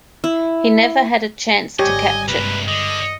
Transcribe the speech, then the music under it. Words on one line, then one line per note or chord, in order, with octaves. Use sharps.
He never had a chance to catch it.
E4
G#1 D3 G3 G4 C#5 D#5 G#5
G2 C3 G#3 A#3 B4
D3 D#5